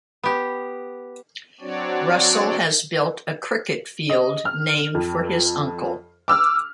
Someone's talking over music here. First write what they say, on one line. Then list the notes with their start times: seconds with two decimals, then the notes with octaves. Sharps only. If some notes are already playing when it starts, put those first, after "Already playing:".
Russell has built a cricket field named for his uncle.
0.23 B3 G4
1.61 F#3 C4 D4 F#4 C#5 D5
4.10 D#5
4.45 F6
4.95 F2
6.28 D6 E6 F6